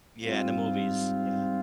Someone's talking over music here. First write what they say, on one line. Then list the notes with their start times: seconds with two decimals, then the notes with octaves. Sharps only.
Yeah, in the movies. Yeah.
0.20 G#2 G3 C4 F4